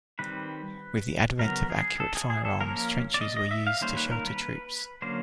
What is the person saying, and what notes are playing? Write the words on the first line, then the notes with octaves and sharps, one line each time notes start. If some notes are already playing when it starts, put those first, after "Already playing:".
With the advent of accurate firearms, trenches were used to shelter troops.
D#3 G3 C4 B4
C#3 F#3 B3 A#4
G#4
A4
G#4
G#4
A4
F3 A#3 C#4 A#4
D5
D#5
D#5
E5
F5
D#3 G3 A#3 C#4 C5
B4
A#4
B4
D3 F#3 A#3 C#4 C5